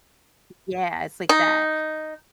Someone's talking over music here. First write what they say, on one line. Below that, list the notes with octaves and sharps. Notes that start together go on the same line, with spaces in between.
Yeah, it's like that
D#4